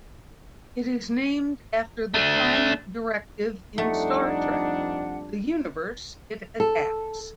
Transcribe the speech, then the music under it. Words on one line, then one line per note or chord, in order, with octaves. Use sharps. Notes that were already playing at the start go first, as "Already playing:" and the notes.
It is named after the Prime Directive in Star Trek, the universe it adapts.
A3 D4
F2 G3 A3 D4 D#4 F#5
A4